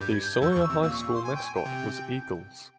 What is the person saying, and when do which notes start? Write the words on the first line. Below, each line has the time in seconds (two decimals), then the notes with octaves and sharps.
The Sawyer High School mascot was Eagles.
0.01 G2 G3 G6
0.11 G#6
0.22 G6
0.32 G6
0.42 F2 F3 E6
0.51 C#6
0.56 E2 E3
0.60 E6
0.70 C3
0.83 A#2 E6
0.93 C#6
1.14 C6
1.24 G#5
1.35 G5
1.45 G#5
1.54 G5
1.65 C3